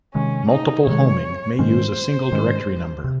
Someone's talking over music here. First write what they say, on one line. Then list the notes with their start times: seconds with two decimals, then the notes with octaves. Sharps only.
Multiple homing may use a single directory number.
0.15 C3 D#3 G#3 C#4
0.51 D#4
0.87 C3 D#3 G#3 C#5
1.59 G#2 D#3 G#3 C#4 C5
2.32 G#2 D#3 G#3 C#4
3.04 C3